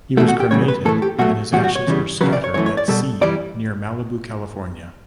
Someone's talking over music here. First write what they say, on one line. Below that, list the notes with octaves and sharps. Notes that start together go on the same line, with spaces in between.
He was cremated and his ashes were "scattered" at sea near Malibu, California.
E2 B2 A3 E4
F#4
G4
E2 C#3 G3 C#5
B4
A2 E3 A3 A4
G4
B2 F#3 A3 F#4
E2 B2 G3 F#4
F#4
C#5
E2 C#3 E3 G3
E2 C#3 F#3 B4
D5
C#5
F#2 E3 A3 C#5
C#5
D5
B2 G3 A4
E3 G3 D5